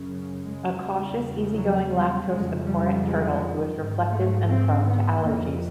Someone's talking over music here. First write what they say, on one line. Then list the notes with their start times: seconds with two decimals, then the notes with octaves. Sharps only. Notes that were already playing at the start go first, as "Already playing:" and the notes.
A cautious, easy-going, lactose abhorrent turtle who is reflective and prone to allergies.
Already playing: F#2 C#3
0.45 G#3
0.83 E2 C#3 G3
1.56 F#3
1.92 G3
2.29 F2 C#3 G#3
2.66 G3
3.02 G#3
3.76 G#2
4.12 A3
4.49 C4
4.86 B3
5.22 F2 C3 A#3